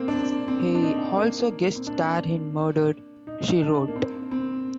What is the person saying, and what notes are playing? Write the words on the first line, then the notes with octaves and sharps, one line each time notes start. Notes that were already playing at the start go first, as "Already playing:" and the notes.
He also guest starred in "Murder, She Wrote".
Already playing: A#3 C4
D4
C4
C4
D4
D#4
A#3
C4
D4
D#4
D4
A#3
C4
C4